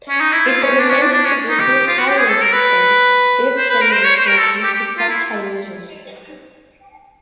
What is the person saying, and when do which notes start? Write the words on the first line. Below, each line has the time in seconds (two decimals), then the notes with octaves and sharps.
It remains to be seen how resistant these changes will be to court challenges.
0.09 C#4
0.21 D#4
0.33 E4
0.47 F4
0.63 C#4
0.79 D4
0.90 C#4
1.02 D4
1.14 D4
1.25 C#4
1.49 D#4
1.60 G4
1.88 F4
1.98 F#4
2.08 G4
2.18 G#4
2.29 A4
2.42 A#4
2.53 B4
3.58 C5
3.70 B4
3.81 A#4
3.93 C5
4.04 C#5
4.16 C5
4.28 A#4
4.39 A4
4.63 G4
4.74 G4
4.98 F4
5.10 E4